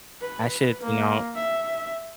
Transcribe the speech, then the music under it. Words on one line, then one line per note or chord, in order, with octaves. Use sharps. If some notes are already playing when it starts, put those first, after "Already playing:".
I should," you know,
B4
A#3
E5